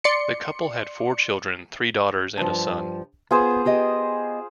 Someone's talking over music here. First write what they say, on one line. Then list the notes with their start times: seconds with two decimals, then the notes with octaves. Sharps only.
The couple had four children, three daughters and a son.
0.04 D5 C6 C#7
2.38 G2 F3
3.31 B3 F4 G#4 C5
3.65 B3 G4 D#5